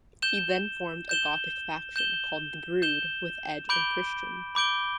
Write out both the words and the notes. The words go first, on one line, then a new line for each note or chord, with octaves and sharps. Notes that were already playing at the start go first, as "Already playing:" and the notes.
He then formed a gothic faction, called The Brood, with Edge and Christian.
G6 E7 G7
G6 E7 G7
G6 E7 G7
G6 E7 G7
B5 D6 G6 D7 G7
B5 D6 G6 D7 G7